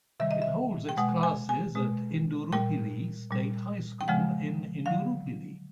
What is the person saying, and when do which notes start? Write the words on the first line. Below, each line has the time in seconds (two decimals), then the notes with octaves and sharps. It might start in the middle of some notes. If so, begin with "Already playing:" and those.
It holds its classes at Indooroopilly State High School in Indooroopilly.
0.20 C3 D#3 G3 E5
0.31 D#5
0.42 E5
0.89 G5
0.97 B2 G#3 F#5
1.23 G#5
1.49 G#5
1.75 B2 G#3
2.53 A#2 G3 G5
3.30 A#2 G3
4.01 G5
4.08 C#3 F3 G#3 F#5
4.86 D3 F#3 F5